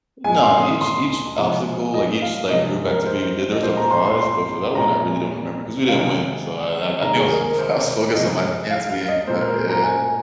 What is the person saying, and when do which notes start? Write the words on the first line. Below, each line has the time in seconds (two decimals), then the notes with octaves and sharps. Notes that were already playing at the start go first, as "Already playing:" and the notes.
No, each each obstacle, like, each, like, group activity we did, there was a prize, but for that one I really don't remember, 'cause we didn't win, so I I I think I was I was focused on my pants being cut, yeah.
0.24 G#3 G#5
0.30 A#2
0.43 C6
0.62 D#6
0.81 C6
1.38 C3 F3 G#3
1.94 D#5
2.22 F5
2.50 C3 F3 G#3 D#5
2.88 A#4
3.06 C5
3.52 D#5
3.63 A#2 G#3 C5
3.77 A#5
3.91 C6
4.05 C6
4.20 C6
4.75 A#2 G#3 A#5
5.88 C3 D#3 G#3 F5
7.01 C3 D#3 G#3 A#5
7.16 G#4
7.26 A#4
7.29 G#4
7.43 A#4
7.58 C5
8.14 C3 F3 G#3 D#5
8.70 F5
8.90 F5
9.08 D#5
9.27 A#2 G#3 C5
9.41 A#4
9.55 C5
9.69 A#5
9.83 G#5